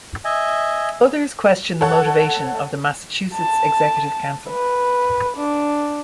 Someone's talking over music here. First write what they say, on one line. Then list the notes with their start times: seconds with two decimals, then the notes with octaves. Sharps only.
Others question the motivation of the Massachusetts Executive Council.
0.25 D#5 E5 G#5
1.81 A4 C#5 F#5
3.35 A5
4.49 B4
5.37 D4